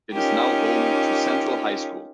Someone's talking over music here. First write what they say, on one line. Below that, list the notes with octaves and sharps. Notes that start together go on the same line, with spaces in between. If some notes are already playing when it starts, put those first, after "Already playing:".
It is now home to Central High School.
C#4 D#4 F4 G4 A#4